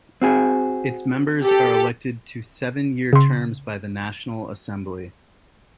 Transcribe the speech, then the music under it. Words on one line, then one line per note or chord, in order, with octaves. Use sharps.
Its members are elected to seven-year terms by the National Assembly.
C4 F#4 G#4
G4 A4
C#3 C6